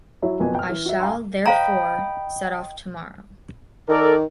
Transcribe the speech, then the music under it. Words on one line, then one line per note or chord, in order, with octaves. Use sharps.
I shall, therefore, set off tomorrow.
F#3 E4 C#5 E5
F#1 F2 B2 B4 G#5
G5 F6
E3
F#4 E5
F5 G5 G#5 A#5 C6
C5 D#5 F5 G5 A#5 B5
D#3 A4 A#4 D5